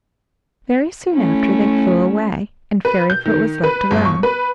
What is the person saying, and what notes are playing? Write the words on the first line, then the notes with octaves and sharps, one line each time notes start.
Very soon after they flew away, and Fairyfoot was left alone.
A3 C#4 E4
B4
G6
D#3
B4
G1
C#6
B4